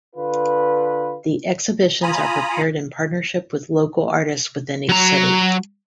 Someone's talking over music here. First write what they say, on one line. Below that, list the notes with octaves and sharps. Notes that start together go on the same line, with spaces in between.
The exhibitions are prepared in partnership with local artists within each city.
D3 F4 B4
F4 G#5 A#5 B5 D#6
F#3 A#5